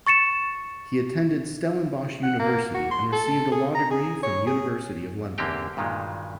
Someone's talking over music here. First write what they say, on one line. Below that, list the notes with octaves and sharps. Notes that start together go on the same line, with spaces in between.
He attended Stellenbosch University and received a law degree from University of London.
C#6 A6 C#7 E7
F#5
A#3
F#4
C6
A4
G#4
A#5
G#4
C#5
G#4
E2 D3 A#3 C4 G4 G5
G2 A#2 D#3 F#3 G#3